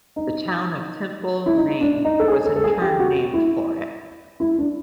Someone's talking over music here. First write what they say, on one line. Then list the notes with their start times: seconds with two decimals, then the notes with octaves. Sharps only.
The town of Temple, Maine was in turn named for it.
0.16 D#4
1.46 E4
1.57 D#4
1.81 D4
2.05 D#4
2.20 A4
2.28 G#4
2.45 A4
2.56 A4
2.64 G#4
2.81 G4
2.99 F#4
3.34 E4
4.40 E4
4.58 D4